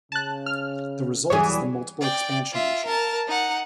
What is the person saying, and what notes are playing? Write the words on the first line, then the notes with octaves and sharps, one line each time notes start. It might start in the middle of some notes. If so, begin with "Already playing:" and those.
The result is the multiple-expansion engine.
C#3 A5 F#6
F6
E2 E3 F#3 G3 G#4 C#5
D5 G5
F4 E5
A#4 A5
D#4 F#5